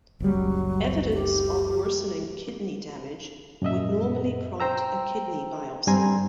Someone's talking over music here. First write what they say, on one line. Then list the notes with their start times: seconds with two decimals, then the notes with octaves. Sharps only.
Evidence of worsening kidney damage would normally prompt a kidney biopsy.
0.20 F#1 C#2 F#3 G3
1.13 G4
3.62 F#2 A#2 D#5 E5
4.60 C5 G5 A#5 E6
5.87 G2 G3 C4 G#5 A#5 C6